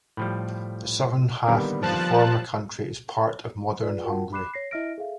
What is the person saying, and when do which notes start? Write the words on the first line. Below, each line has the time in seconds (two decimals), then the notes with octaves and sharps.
The southern half of the former county is part of modern Hungary.
0.17 A2 F3 G3 B5
1.48 D3 D#3 G3 A#3 B3
1.82 F3 A5 F#6
3.82 F4 G#4 B4 D5
4.04 F4 F#4 A#4 F#5 G5 A5
4.33 B5 D6 F#6 C7 E7
4.54 C#5 A#6 C7
4.71 E4 D#5 E5 F6 A#6 D7
4.98 G#4 A4 E5 F5